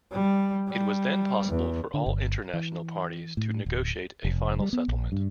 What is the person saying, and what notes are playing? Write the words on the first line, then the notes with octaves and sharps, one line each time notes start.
It was then possible for all international parties to negotiate a final settlement.
G3
G3
E2
D3
G1
E3
A2
D1
F1
G3
B3
A#1
G2